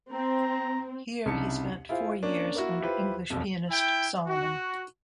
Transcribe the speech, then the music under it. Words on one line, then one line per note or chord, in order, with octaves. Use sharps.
Here he spent four years under English pianist, Solomon.
C4 A#5
C2 C#3 D#4 E4 A5 C#7
E4 F4 G#4 C5 F5
A#3 C#4 D4
A#3 E4 F#4 A#4
E4 F4 G4 B4 C5
E1 B1 F2
E4 G5
F#4